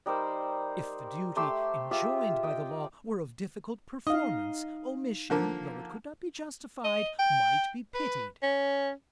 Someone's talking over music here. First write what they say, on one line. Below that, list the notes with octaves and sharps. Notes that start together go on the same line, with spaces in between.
If the duty enjoined by the law were of difficult performance, omission, though it could not be justified, might be pitied.
G3 D#4 A#4 C5
A3 G4 C6 E6
F4 G4 G#4 E5
D#5 G5
D#4 D#5 F5
D3 F3 A#3
D#5
G5
B4
C#4